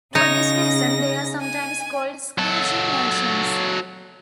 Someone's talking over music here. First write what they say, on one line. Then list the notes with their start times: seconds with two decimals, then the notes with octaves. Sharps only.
For this reason, they are sometimes called squeegee merchants.
0.15 C#3 D#4 C#5 A#6
1.40 G#5
2.38 F#3 A4